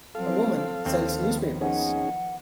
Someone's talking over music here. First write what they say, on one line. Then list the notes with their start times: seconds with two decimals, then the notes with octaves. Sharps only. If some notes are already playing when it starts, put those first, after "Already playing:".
A woman sells newspapers.
0.15 F3 F#3 C4 A4 F5
0.85 D#2 D#3 F3 B3 C4
1.61 C#4 D#4 G#4 F#5